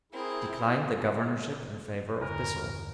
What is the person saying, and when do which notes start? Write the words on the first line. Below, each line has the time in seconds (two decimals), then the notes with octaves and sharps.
Declined the governorship in favor of Bissell.
0.12 C4 E4 G#4 A#4
2.21 E2 G2 D3 A#4